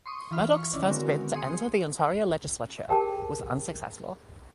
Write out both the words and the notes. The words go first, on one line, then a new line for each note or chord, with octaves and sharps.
Murdoch's first bid to enter the Ontario legislature was unsuccessful.
C6 C#6 D#6
E3 F4 B5 F6
C#6
D3 D#3 C#4 D4 E4
G#3 B3 C4 F#4 A#4
G#4 C6 D#6 C#7
G4 G#4 A#4 C5 G5 A5